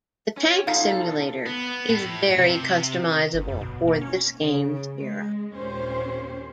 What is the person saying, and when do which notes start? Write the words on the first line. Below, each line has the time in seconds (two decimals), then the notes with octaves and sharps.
The tank simulator is very customizable for this game's era.
0.37 C#4
0.67 B1 D#4 F4 A4 F5
1.46 B3
1.89 A2
2.37 C3
3.34 G1
3.48 F#2
3.61 B2
3.88 A#3
4.01 C#4
4.42 C#3
4.96 G#3
5.54 D#2 A#2 C#4 G4 C5